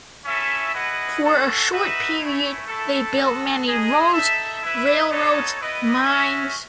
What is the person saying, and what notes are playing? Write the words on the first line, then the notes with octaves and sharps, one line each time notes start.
For a short period they built many roads, railroads, mines...
C#4 E4 A4 E5
E4 G#4 B4 D#5 F#5
C#4 F#4 A4
D#4 F#4 B4 E5
A3 C#4 E4
A3 E4 A4
B3 F#4 A4
G#3 D#4 G#4 D#5
D#4 A4 E5
E4 B4 E5
B3 D#4 A4 C#5
B3 E4 B4 D#5
C#4 F#4 C#5 E5